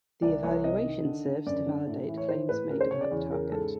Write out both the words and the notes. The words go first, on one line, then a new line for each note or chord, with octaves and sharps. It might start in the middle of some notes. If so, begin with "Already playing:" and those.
The evaluation serves to validate claims made about the target.
C2 D5
C2 C#5
C3 D#5
D#3
D3
D3
F#2 D5
D3
A2
E3
C#5
E3 C5
A2 B4
C#3 A#4
C5
C#3 C#5
D5
E2 C#5
C#3 A#4
G#2 A4